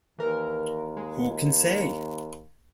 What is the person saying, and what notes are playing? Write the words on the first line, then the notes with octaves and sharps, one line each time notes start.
Who can say?
D#2 E3 A#4
G#3